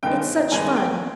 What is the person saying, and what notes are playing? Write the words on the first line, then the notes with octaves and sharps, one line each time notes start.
It's such fun!
G2 D#3 G#3 B3 G5
G2 D#3 G#3 B3 G#5
G5